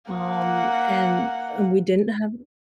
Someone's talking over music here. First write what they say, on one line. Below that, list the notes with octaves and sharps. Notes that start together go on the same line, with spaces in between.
Um, and, uh, we didn't have
A#3 F#5